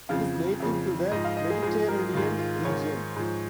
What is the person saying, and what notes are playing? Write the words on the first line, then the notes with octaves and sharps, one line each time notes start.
It is native to the Mediterranean region.
F2 C#3 F3 F5
F2 C#3 F3
G#2 F3 D#5
F5
D#5
G#4
G#2 F3 G#4
A#4
G#2 D#3 F4
F4
G#2 D#3 C#5
G#2 F3